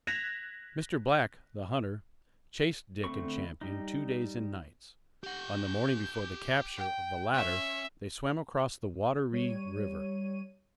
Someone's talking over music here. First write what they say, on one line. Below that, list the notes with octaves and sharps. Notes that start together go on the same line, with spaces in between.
Mr. Black, the hunter, chased Dick and Champion two days and nights; on the morning before the capture of the latter they swam across the Water-ree river.
F#6 G#6 A#6 B6 E7 F7
D3 A3 C4 B5 C#6
G3 D#4
G4 F#5 G6
G5
C#4 C#5 E5
G3 C#5 D#7